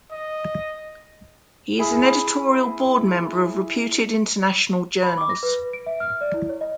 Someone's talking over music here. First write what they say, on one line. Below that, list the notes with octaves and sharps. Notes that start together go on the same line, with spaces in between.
He is an editorial board member of reputed international journals.
D#5
E4 G#4
B5
D6
A#6
B4
D7
E5
F6
D5
E4
C#5
D#5